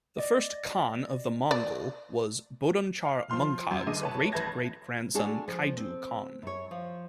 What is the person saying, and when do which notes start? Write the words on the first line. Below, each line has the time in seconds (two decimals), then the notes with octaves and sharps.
The first Khan of the Mongol was Bodonchar Munkhag's great-great-grandson Khaidu Khan.
0.18 D5 D#5
1.51 D5
3.05 F5
3.30 F3 F4 C6 F6
3.71 F#2
3.86 G1 D3 G#4 D#5 D6 D#7
4.01 B4 C#5 A5
4.32 A1 B4 E5 A5 G#6 A#6
5.14 G#3 D4 F#4 G#4 A4
5.48 F3
5.77 C4
6.42 F#2 C#5
6.71 F3